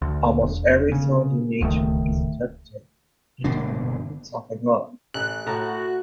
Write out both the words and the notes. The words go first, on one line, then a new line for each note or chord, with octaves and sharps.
Almost every sound in nature is interpreted into the movements of a god.
D2
E1
C#3
D1 C#2 D#3 A3
G1 B2 A#3 D4
A1 F#6
A2 F#4 A5 A#5